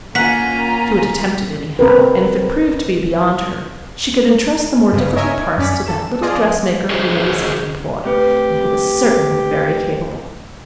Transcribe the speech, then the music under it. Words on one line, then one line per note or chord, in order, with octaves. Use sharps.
She would attempt it, anyhow, and if it proved to be beyond her, she could entrust the more difficult parts to that little dressmaker whom Elizabeth employed, and who was certainly very capable.
A#3 C#4 F4 F#5 G#5 A#5 B6
C4 A#4 B4
G2 C#3
A#4 C#5 D#5 E5 G#5
F#2 C#4 D5 B6
A4 E7
F3 F4 G#4 D5 D#5
F#4 G#4 C5 C#5 D#5
A3 C4 G4 B4